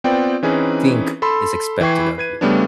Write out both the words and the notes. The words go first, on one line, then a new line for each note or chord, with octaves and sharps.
think is expected of you.
B3 C4 F4 B4 D5 G5
E3 C4 C#4 D#4 G#4 B4
A4 B5 C6 E6
E3 E4 G5 C#6 G#6 C7
B4 G#6 D#7
C#3 G3 A3 B3 C#4 D4